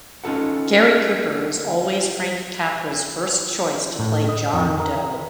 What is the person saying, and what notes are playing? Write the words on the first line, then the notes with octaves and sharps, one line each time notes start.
Gary Cooper was always Frank Capra's first choice to play John Doe.
C#4 D#4 F4 A4 F#5
A2
D#5
F2
D#3
A#4
B4